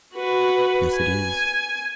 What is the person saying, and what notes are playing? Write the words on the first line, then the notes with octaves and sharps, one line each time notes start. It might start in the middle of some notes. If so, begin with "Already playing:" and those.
"Yes, it is."
F#4 B4
G#5